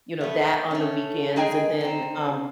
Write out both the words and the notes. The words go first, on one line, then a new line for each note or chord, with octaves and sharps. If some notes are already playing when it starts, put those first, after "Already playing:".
you know, that on the weekends, and then, um
A3 B3
A3 C#4
G#3 D#4 G#4 D#5 G5 G#5
C4 D#4